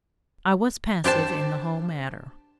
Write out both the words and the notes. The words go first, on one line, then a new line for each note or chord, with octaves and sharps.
I was passive in the whole matter.
D4 G4 C5 A5